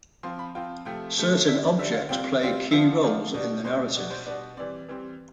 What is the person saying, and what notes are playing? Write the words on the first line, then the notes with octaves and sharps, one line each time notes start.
Certain objects play key roles in the narrative.
F3 C4 F4 C6
B5
F3 C4 F4 G5
C3 F3 A3 G5
C3 F3 A3
D3 G3 D4 E5
D5
D3 G3 D4 E5
F5
C3 G3 C4 F4 G5
C3 G3 C4 F4
D3 F3 B3 D4 F4 E5
D3 F3 B3 D4 F4 D5
B2 G3 D4
B2 G3 D4 C5
B2 G3 B3 D4 D5
C5
B2 G3 B3 D4 D5
E3 G3 C4 D5
E3 G3 C4